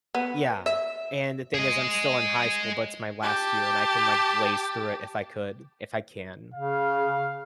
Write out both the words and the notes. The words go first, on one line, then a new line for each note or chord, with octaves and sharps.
Yeah, and the thing is I'm still in high school, but it's my last year, and I can, like, blaze through it if I could if I can.
B3
E5
G#4 D#5
G4 A5
C#3 F5